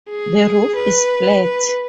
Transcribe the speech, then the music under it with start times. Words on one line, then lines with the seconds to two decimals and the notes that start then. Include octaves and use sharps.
The roof is flat.
0.10 G#4
0.76 B4
1.44 B4